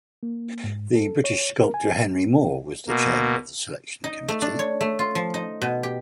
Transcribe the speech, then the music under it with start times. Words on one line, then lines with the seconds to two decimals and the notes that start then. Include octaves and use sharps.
The British sculptor Henry Moore was chairman of the selection committee.
0.23 A#3
0.64 G#2
0.95 A4
1.24 C#5
1.62 A#4
1.74 G#5
2.88 B2 A#3
4.04 D#4
4.28 A3
4.42 D4
4.59 C#5
4.81 A3
4.99 F4
5.15 F3
5.34 D#4
5.62 B2
5.83 G4